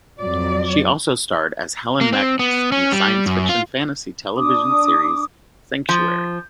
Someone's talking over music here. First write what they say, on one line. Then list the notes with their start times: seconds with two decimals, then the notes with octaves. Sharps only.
She also starred as Helen Magnus in the science fiction-fantasy television series "Sanctuary".
0.20 F2 F#3 D5
2.01 A#3
2.13 C4
2.39 B3
2.72 C#4
2.92 G3
3.26 F#2
3.49 F4
4.36 D4 D6 D#6
5.89 F3